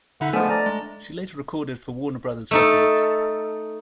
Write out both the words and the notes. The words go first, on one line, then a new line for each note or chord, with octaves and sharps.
She later recorded for Warner Brothers Records.
D3 D#4 E5 F#5 B5 B6
F3 G#3 A3 B3 D4 G#5 F6
D5 A#5
G#3
A3 D#4 A4